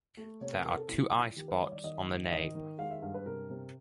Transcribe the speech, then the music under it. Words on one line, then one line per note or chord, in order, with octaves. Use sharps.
There are two eyespots on the nape.
A3
C3 C#5
B4
C4 A#4
A4
C3 E4
F3
D#3 G4
B4
G3 C#5
D5
D#3 D#5
G#2
E5
D#3 D#5
D#3
G#3 F5
E5
G2 F5
B4
C3 A#4
C3